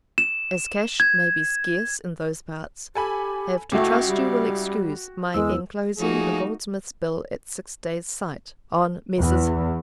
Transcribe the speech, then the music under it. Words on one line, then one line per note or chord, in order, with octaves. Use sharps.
As cash may be scarce in those parts, have to trust you will excuse my enclosing a goldsmith's bill at six days' sight, on Messrs.
E7
G#6
G4 A4 G#5 B5
C#2 A3 E4 F#4 G5 D6
G3
E2 G#3 E6
F3 A3 A#3 D#4 F#4 G#4
E2